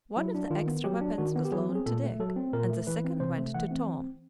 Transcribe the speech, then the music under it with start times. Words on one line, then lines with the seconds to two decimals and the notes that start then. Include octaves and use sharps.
One of the extra weapons was loaned to Dick and the second went to Tom.
0.17 F#3 E4
0.35 D4
0.50 D#3 F4
0.67 B3
0.84 F#3 G4
1.01 D4
1.18 D#3 F#4
1.36 B3
1.45 G4
1.52 F#3 G#4
1.69 C4
1.75 G#4
1.86 A#2 A4
2.03 A3
2.19 F#3 A4
2.36 C4
2.53 A#2 A#4
2.70 A3
2.87 E3 B4
3.04 C4
3.20 C3 C5
3.38 A3
3.54 E3 F#5
3.71 C4